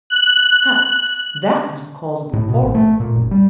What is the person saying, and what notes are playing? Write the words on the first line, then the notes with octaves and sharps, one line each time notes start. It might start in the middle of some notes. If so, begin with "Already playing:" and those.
Perhaps that was the cause of their quarrel.
F#6
A2
B2
A1
A3
A#2
F#1
G3